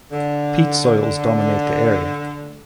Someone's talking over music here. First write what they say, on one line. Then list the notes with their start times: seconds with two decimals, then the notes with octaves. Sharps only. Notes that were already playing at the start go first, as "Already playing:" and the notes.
Peat soils dominate the area.
0.12 D3